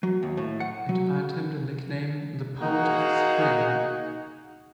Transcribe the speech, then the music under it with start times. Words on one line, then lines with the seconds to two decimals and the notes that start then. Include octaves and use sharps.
It earned him the nickname the Poet of the Spring.
0.03 F#3
0.23 D#2
0.37 A2
0.60 F#5
0.89 F#3
2.61 A#3 D#4 F#4 G#4